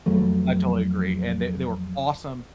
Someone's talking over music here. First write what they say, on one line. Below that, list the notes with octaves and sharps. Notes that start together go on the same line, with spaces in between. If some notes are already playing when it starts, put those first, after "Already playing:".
I totally agree and they they were awesome,
F2 E3 F#3 A3